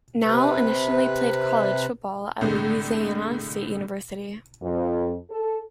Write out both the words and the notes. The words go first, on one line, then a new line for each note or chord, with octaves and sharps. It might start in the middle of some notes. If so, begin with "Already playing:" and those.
Nall initially played college football at Louisiana State University.
C3 B4
C2 A2 D3 G#3
F2
A4